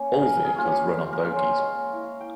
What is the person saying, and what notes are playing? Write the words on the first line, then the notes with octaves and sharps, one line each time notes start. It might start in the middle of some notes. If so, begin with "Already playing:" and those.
All vehicles run on bogies.
Already playing: A#3 C#4
G3 G#4 A#4
G#4
A#3 C#4 F4
G4
G3
A#4
A#3 C#4
C5
G#3 C#5
E4
F5
G5